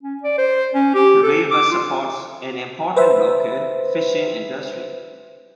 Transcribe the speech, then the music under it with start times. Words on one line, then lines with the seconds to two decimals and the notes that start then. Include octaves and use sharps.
The river supports an important local fishing industry.
0.03 C#4
0.23 D5
0.38 C5
0.74 C#4
0.95 G4
1.23 A4
1.51 D6
1.71 F4
2.96 B4 C5 E5